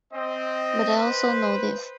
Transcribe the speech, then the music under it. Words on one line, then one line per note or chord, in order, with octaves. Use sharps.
But I also know this.
C4 D#5
B4 C5